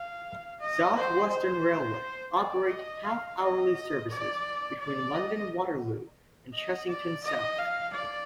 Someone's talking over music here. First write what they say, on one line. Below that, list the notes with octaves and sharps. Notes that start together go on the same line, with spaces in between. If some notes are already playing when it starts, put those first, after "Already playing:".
South Western Railway operate half-hourly services between London Waterloo and Chessington South.
Already playing: F5
D#5
C5
C5
D5
D#5
F5
D#5
D5
D5
D#5
D#5
D5
D#5
F5
D5